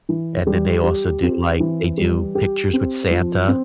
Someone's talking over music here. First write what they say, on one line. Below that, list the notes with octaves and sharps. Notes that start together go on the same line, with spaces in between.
And then they also do, like, they do pictures with Santa.
E3
G3
G4
C4
E3
G3
G4
C4
F3
C4